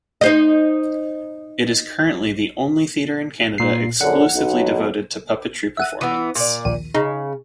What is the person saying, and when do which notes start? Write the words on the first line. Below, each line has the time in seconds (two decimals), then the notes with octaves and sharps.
It is currently the only theatre in Canada exclusively devoted to puppetry performance.
0.21 D#4 C5 D#5
3.58 A#2 C7
4.01 A#1 F#2 D3 F#5
4.34 B1
5.77 E5 F#5 D#7
6.01 E3 B3 D#6
6.35 A#2 D5
6.65 A#1 D#2 D#7
6.94 C#3 D#4